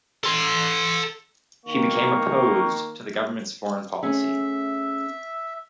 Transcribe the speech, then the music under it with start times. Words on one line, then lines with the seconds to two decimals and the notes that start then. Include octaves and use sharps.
He became opposed to the government's foreign policy.
0.24 A4 C6
1.65 D#3 A#3 C#6
4.03 A3 C#4 G#4 E5